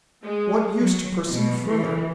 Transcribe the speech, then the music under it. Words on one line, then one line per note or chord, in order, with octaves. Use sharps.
What use to proceed further?
G#3
F#3
B2
E3